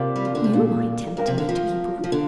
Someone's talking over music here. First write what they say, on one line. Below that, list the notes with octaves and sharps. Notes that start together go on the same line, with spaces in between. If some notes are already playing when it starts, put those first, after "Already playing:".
You might tempt me to be brutal.
Already playing: C3 A#3 F4 G4 D5 F5
G3
F3
D3
C3
A#2
G2 C4 A#4 F5
C3
D3
F3
F3
D3